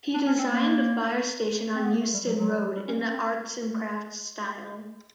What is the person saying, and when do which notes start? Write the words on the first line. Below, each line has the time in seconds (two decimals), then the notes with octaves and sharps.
He designed the fire station on Euston Road, in the "Arts and Crafts" style.
0.14 D4
0.27 C#4
0.39 C4
0.51 A#3
1.75 C4
1.84 B3
1.92 A#3
2.01 A3
2.14 G3
2.26 F#3
2.38 F#3
2.50 G3
2.61 F#3
2.75 G3
2.88 C#4
3.01 C#4
3.13 C4